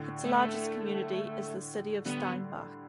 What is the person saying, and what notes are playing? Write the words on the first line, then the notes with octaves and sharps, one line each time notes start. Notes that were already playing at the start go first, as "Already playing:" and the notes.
Its largest community is the city of Steinbach.
Already playing: A2 D3
A3
D3 G3 B3